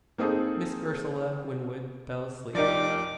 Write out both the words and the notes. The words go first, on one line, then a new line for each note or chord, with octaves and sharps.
Miss Ursula Winwood fell asleep.
A#3 C4 D#4 G#4 A4
F3 D#4 G4 A#4 D5 D6